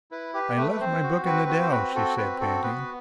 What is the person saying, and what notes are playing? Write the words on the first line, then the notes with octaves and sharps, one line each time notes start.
"I left my book in the dell," she said, panting.
E4 B4
G4 B4
A3 B4
B4
C4 C5
F#4
C4 B4
F#4
C5
C4 B4
F#4 A4
C4 B4
F#4 A4
B3 B4